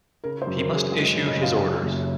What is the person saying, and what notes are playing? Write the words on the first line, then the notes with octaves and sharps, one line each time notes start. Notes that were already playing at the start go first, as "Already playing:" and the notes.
He must issue his orders.
C#3 A#4
C5
F#2
A#4
F#2 G#4
G#3 G#4
C#3
D#5
F#2
F5
F#2
F#1